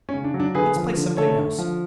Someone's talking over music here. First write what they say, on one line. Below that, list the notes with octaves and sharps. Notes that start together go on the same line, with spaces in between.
Let's play something else.
C#4
C#3
D4
F#3
D4
D3 G#4 B4
F3
D3
A3 A4 C#5
D3
F3